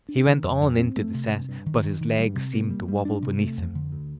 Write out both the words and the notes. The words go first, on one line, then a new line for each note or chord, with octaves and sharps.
He went on into the set, but his legs seemed to wabble beneath him.
D4
D#3
F2
F2
C4
A3
C3
G2
G2
D#3
D#3
D#3
G3
C3
A#3
G3
G3
D4
C3
A3
F2
D3
D2